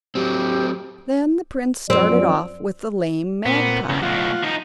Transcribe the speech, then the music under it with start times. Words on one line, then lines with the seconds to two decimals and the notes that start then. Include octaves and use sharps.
Then the prince started off with the lame magpie.
0.15 F#3 C4 G4
1.90 F#2 F3 C4 D5
3.45 A#2 B3 C4
3.89 E2 C#3
4.02 B1 A2 F4 F#5
4.43 F3 D#4